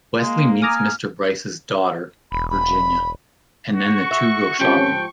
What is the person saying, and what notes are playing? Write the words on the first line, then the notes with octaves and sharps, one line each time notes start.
Wesley meets Mr. Bryce's daughter, Virginia, and then the two go shopping.
G#3 A#3
G#5 A#5 D6 D#6 F6
E1 B5
B5
F#4 C#6
E5
D#2 G#2 F3 C4 C#4 G4 G5